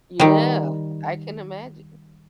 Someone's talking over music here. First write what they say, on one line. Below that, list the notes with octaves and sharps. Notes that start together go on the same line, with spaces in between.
Yeah, I can imagine.
D#3 G3